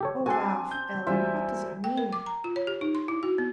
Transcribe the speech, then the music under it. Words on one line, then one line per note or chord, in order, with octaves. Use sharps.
"Oh, Ralph--Ellen--what does it mean?"
G4 A4 C#5
C4 D4 F#4 A4 F#5 G#5
G6
E2 F#3 G3 F4 C5 D5 E5 G#5
G5
A#4
D6
A#5
F4
C#5
G4
D#4
C6
E4
F#4
B3